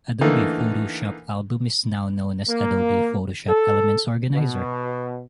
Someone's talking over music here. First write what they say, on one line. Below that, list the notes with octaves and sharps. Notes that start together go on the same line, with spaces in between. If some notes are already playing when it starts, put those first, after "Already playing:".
Adobe Photoshop Album is now known as Adobe Photoshop Elements Organizer.
D3 E3 A3 A#3 D#4
A#3
A4
B2